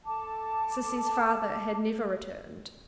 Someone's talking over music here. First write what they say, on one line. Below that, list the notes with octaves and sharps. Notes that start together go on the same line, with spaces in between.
Sissy's father had never returned.
A4 A5 D6